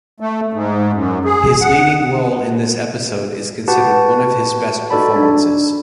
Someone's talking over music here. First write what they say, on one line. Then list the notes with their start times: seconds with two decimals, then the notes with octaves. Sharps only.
His leading role in this episode is considered one of his best performances.
0.20 A3
0.53 G#2
0.94 F#2
1.25 G#4
1.61 F#5
3.68 F#4 G4 B4 F#5 A5
4.90 D#4 F#4 A4 D5 A5 B5
5.16 D4